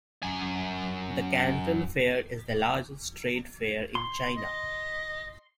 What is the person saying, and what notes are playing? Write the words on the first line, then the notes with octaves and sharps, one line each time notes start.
The Canton Fair is the largest trade fair in China.
F#2 G#5
C6
D#5